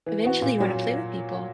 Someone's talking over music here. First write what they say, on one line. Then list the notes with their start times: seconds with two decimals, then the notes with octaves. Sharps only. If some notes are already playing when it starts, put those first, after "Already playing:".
Eventually, you wanna play with people.
0.06 E3
0.25 B3 F#4
0.42 A#2
0.60 F#3 C#4